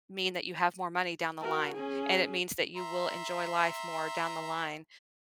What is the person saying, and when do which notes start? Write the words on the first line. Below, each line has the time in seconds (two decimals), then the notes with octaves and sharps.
mean that you have more money down the line, and it means that you will enjoy life more down the line,
1.42 F#4 A#4
1.74 C#4 G#4
2.77 E5 A#5 C6